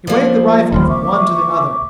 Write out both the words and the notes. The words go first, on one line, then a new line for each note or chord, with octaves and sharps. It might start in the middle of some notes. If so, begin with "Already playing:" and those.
He waved the rifle from one to the other.
F3 A#3
D#1 D#3 G3 B5 C6 F6
C#2 E5 C#6 D6